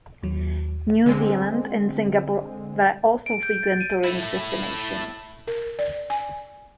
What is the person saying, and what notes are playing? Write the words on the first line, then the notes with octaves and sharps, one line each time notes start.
New Zealand and Singapore were also frequent touring destinations.
D#2 F#3
D3 G#3 C4
D7
G6
A6
D#7
A3 E4
A#4
D5
G#5